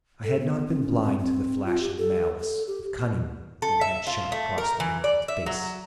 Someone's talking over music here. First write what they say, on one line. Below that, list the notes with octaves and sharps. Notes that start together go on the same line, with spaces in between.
I had not been blind to the flash of malice, of cunning, that had shot across the wrinkled face.
A4
B3
C4
C#4
C4
C4
F4
G4
A4
A4
G4
A4
E5
F4
A3
A#4
E3
D5
E5
F#3